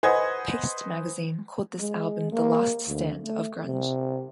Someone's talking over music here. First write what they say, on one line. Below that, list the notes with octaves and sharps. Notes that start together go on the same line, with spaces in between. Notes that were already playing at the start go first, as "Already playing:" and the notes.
"Paste" magazine called this album the "last stand" of grunge.
B4 C5 D#5 F#5 G#5 G#6
G#3
A#3
D2
A3
C3